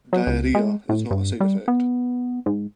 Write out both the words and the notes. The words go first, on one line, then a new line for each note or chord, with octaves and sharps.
Diarrhea is not a side effect.
F#3
C#2
G#3
A2
G2
G3
B3
G#2